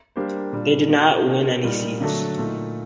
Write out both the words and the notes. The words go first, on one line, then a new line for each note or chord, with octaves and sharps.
They did not win any seats.
G3 A#3 D4 G4 C5
A#2 G3 D4
A#3 D4 F#4
A#3 D#4 A4
A#2 G3 A#3 D#4
D3 F#3 A3 D4 A4
A#2 A3 D#4